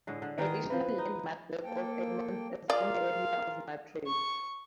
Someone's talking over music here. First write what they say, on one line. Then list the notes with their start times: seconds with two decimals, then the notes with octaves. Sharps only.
Additional landmark work of Edmonds is in the area of matroids.
0.07 A2 D3 G#3
0.22 D3
0.38 D#3 E3 D#4 G#4
0.70 E3 F3 B4
0.98 D#4
1.64 A#3 A4 G5
2.70 F4 G#4 A#4 D5 F5
4.06 C#6